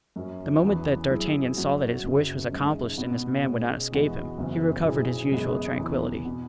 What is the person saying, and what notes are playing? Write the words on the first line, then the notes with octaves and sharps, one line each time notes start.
The moment that D'Artagnan saw that his wish was accomplished and his man would not escape him, he recovered his usual tranquillity.
F#2 F#3 C#4
E2 E3 B3
F#2 F#3 E4 G#4
F#2 F#3 C#4 F#4
F#1 F#2 C#3
G#1 F#2 C#3 G#3
B2 B3 F#4
B2 G#3 C#4 G#4
E2 E3 G#3 B3 F#4
F#1 F#2 C#3 E3 B3
B1 B2 F#3 E4 G#4
F#2 C#3 G#3 B3 G#4
E2 E3 B3 E4
B2 B3